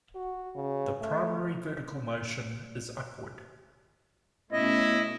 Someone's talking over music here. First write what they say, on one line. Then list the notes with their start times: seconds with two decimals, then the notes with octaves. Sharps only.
The primary vertical motion is upward.
0.15 F#4
0.55 C#3
1.01 A3
4.52 B2 A3 C#4 E4 D#5